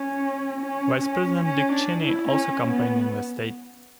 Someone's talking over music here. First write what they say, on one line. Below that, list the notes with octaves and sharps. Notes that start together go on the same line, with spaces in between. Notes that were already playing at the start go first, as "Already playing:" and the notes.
Vice President Dick Cheney also campaigned in the state.
Already playing: C#4
C#4
C#4
C#4
D4
E4
C#4
B3